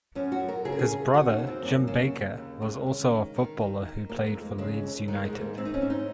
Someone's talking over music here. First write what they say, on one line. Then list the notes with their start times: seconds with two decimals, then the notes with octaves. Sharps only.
His brother Jim Baker was also a footballer who played for Leeds United.
0.15 F#2 C#4
0.32 F#4
0.40 F#2
0.48 A#4
0.65 C#3 G#4
0.72 A#4
0.79 G#4
0.89 C#3
1.14 D#2 F#4
1.31 D#4
1.39 D#2
1.47 C4
1.63 F#2 A#3
1.88 C#3
2.13 C#3
2.37 D#2
2.62 D#2 G#3
2.87 C#3
3.11 D#3
3.36 D#3
3.61 D#3
3.85 D#3
4.09 F2 A#3
4.26 G#3
4.34 F2
4.42 A#3
4.58 C#3 G#3
4.83 D#2
5.08 D#3 G#3
5.25 G#3
5.33 G#2
5.41 A#3
5.57 G#2 C4
5.65 D#4
5.74 C#4
5.82 G#2
5.90 D#4